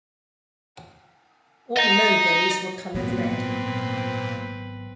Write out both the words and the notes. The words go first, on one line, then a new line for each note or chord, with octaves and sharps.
All logos were colored red.
D#5 A#5
G#1 A#2 F#3 B3 C4 B4